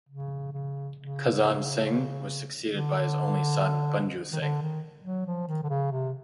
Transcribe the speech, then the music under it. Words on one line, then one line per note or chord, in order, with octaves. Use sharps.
Khazan Singh was succeeded by his only son Panju Singh.
C#3
C#3
C#3
D3
D#3
D3
D#3
F#3
F3
D#3
D3
C#3
C3